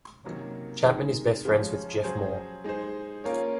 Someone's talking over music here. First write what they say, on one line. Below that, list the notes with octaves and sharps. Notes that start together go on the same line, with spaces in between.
Chapman is best friends with Geoff Moore.
C3 D#3 F#3 A#3 C#4
C3 D#3 G#3 D#4 G#4
C#3 F3 G#3 C#4
F#3 C#4 G#4 C5
G#3 D#4 G#4 C5
A#3 C#4 F4 A#4 C#5